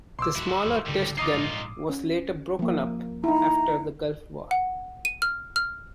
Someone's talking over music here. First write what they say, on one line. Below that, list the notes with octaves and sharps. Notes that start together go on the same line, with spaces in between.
The smaller test gun was later broken up after the Gulf War.
B1 C6 D6 E6
D1 G#1 E4 F#4
G1 D#2
G#1 C#2 A2 D3 G3
D#4 F4 D6 D#6 C7
A#1 G#2
C#4
F3 A#3
D#4 E4 A#5
F#5
D#7
F6
F6